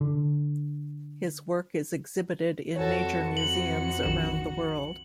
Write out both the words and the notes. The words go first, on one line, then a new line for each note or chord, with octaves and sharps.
His work is exhibited in major museums around the world.
D3
F2 F#4 A4 C#5 A5 C#7
F#4 F#7
A#1 D#3 E7